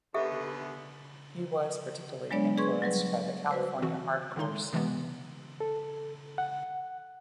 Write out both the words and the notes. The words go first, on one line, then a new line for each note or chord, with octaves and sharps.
He was particularly influenced by the California hardcore scene.
D#2 D3 B3 G4 A4 E5
F#3 G#3 B3 D4 C#5 D5
G#4 B4 C6 C#6 G#6
F#3 G3 B4
F#4 B4 C5
E3 C4 F#4
D3 D#3 G#3 D#4 C6
C3 E3 G#3 B3
A4
F#5